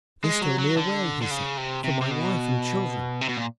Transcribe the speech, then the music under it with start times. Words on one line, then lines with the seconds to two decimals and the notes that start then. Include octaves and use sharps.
"They stole me away," he said, "from my wife and children."
0.24 G#3
0.41 F#3
0.59 F#3
0.77 D3
1.22 D3
1.31 C#3
1.57 C3
1.84 C3
2.01 C3
2.11 B2
3.21 C3
3.29 B2
3.37 A#2